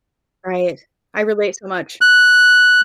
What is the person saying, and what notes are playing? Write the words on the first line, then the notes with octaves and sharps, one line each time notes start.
Right. I relate so much.
F#6